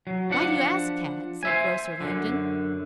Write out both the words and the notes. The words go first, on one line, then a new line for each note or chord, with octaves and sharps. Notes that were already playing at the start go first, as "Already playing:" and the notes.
"Why do you ask, Tad?" said Grocer Langdon.
F#3
F3 D4 F#5
C5 E5 G#5
F#2 D3